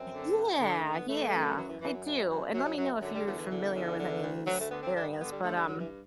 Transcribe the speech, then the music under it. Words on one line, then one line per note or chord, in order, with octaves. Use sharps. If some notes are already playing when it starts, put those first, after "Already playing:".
Yeah. Yeah, I do. And let me know if you're familiar with any of these areas, but, um,
Already playing: F#2 C4
D3
G2
D3
A3
D3
B3
E3 A3
F#2
E3 F#3
E3
F#2 E3
F#3
F#2
F#2
F#2 F#3
F#3
F#2 F#3
D3 F#3
G3
E2 F#3
E3
D3
E2
D3
D2
D2 F#3
A3
D3 B3
C4
G2 D4
D3 B3
G3
D3 A3
G3
G2 F#3
E3